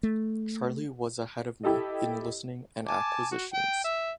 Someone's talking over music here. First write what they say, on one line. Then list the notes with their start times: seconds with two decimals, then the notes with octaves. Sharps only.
Charlie was ahead of me in listening and acquisitions.
0.03 A3
1.63 E4 G4 A4 D#5
2.88 G#5 A5 D6
3.31 F#4
3.53 G5
3.84 E5